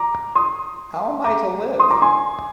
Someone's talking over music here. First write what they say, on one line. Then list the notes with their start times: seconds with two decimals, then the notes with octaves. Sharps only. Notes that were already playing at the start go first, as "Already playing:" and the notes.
How am I to live?
Already playing: A#5 D6
0.35 C6 D#6
1.24 A#5 D6
1.79 C6 D#6
1.91 A#5 D6
2.02 G#5 C6